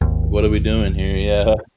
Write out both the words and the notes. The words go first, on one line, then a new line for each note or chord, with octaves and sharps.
"What are we doing here?" Yeah.
G#1 D#2